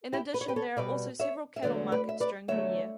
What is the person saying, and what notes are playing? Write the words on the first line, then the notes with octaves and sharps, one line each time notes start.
In addition, there are also several cattle markets during the year.
E4 G4
B4
C#5
G4 B4
A4 C#5
B2 G3 B4 D5
C#5 E5
E5
E2 D3 F#3 A3 B4 D5
B4 D5
E5
B4 D5
E2 D3 F#3 A3 C#5 E5